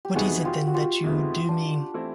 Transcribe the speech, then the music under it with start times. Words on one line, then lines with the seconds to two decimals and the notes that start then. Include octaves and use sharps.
What is it, then, that you do mean?
0.05 G4
0.15 F2 C3 D#3 G#3 B3 F#4 G#4
0.45 F4 G4
0.67 F#4
0.74 F4 G4
1.04 F2 C3 D#3 G#3 B3
1.49 D4
1.94 E3 A3 C4 E4